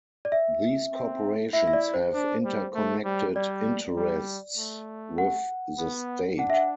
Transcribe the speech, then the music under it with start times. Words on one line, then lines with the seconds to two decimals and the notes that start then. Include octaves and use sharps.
These corporations have interconnected interests with the state.
0.25 D5
0.32 E5
0.92 C4
1.53 E4 E5
1.67 E5
1.73 D5
1.94 C5
2.14 D4
2.45 G3
2.75 A3
3.05 G3
3.36 G3 D5
3.96 G3
4.57 A3
5.18 F#5
5.79 B3
6.38 D4 F#5
6.50 E5
6.54 F#5